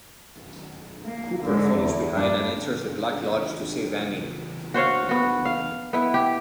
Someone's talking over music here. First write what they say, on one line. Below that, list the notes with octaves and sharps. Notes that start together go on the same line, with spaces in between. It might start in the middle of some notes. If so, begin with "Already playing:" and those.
Cooper follows behind and enters the Black Lodge to save Annie.
A#3
G#2 D3
E2
G2 D4
F#4 C5 C#5 F5
B3 F#4
F5
B3 E4
G4